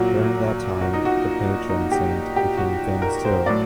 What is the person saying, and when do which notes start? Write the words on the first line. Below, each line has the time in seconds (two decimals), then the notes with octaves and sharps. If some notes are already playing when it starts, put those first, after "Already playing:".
During that time the patron saint became famous too.
Already playing: A#2 F#3 F#4
0.81 F#4
0.94 D#4
1.05 F#4
1.69 D#4
1.92 G4
2.36 G4
2.58 F#4
3.02 A#4
3.25 C5
3.46 A2 F#3 D5